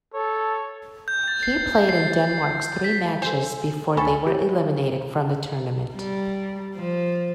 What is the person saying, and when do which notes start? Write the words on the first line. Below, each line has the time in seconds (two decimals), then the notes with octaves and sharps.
He played in Denmark's three matches, before they were eliminated from the tournament.
0.14 A4 C#5
1.08 G6
1.28 A6
1.43 C7
1.89 C7
2.84 B6
3.22 A4 C5 G#5
3.97 D2 A4 G#5 B5 C#6
4.27 G4
5.94 G3
6.76 F3